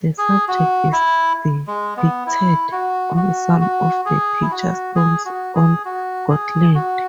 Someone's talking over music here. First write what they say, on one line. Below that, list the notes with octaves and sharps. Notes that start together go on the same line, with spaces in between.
The subject is depicted on some of the picture stones on Gotland.
G#4
F#4
E4
G#3
B3
E4
F#4
F#4
F#4
G#4
E4
F#4
G#4
F#4
G#4
F#4
G#4
F#4